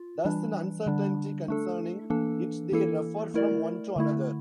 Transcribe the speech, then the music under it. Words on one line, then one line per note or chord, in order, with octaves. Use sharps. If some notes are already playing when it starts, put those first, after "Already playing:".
Thus in uncertainty concerning it they refer from one to another.
Already playing: F4
E3 G3 D4
D3 G3 D4
A3 D4 A4
E3 A#3 D4 A4
E3 A#3 E4 A4
A3 E4 A#4 D5
D3 A3 E4